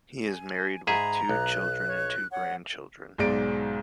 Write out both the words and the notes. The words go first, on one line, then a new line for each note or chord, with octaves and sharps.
He is married with two children and two grandchildren.
G#5
G#2 G#4 E5 A#5 B5
B1 F#6
C#5
C#5 F#5
B1 G#2 G#3 D5 D7